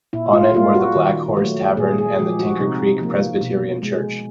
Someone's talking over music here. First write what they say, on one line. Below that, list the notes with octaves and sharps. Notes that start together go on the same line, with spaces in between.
On it were the Black Horse Tavern and the Tinker Creek Presbyterian Church.
A#2 E4
F4
G3 A#3 F4
F#4
D#3
F#3 A3
A#2 G#4
G#4
F3 G#3 G4
F#4
C3 D#4
F3 A#3
B2
G#3